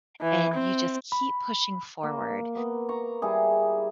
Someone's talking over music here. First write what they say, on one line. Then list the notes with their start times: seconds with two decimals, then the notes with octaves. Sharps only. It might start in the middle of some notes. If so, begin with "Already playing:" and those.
and you just keep pushing forward,
0.21 E3
0.54 C4
1.12 B5
2.03 A#3
2.55 A#3 B3
2.89 A#5 C#6
3.22 G3 E4 G#4